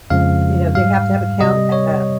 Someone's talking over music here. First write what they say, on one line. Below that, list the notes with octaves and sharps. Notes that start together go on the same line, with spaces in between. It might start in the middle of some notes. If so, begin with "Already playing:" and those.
You know, they have to have a count, ah, uh,
F2 C#3 F3 G#3 F5
G#2 G3 F5
C3 G3 D#5
C#5